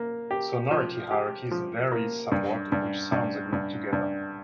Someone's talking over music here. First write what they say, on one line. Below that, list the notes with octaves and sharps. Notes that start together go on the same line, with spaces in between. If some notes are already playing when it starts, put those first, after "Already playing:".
Sonority hierarchies vary somewhat in which sounds are grouped together.
Already playing: A#3
G4
F3
G4
F3
A#3
G2
G2
G2
G2
G2